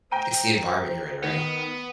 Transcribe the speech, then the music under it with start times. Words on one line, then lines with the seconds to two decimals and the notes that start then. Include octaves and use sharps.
It's the environment you're in, right?
0.11 C5 G5 A#5 D#7
1.23 D#3 B3